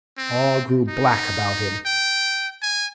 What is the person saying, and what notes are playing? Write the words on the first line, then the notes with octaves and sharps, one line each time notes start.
All grew black about him.
C4
D#4
G5
G#5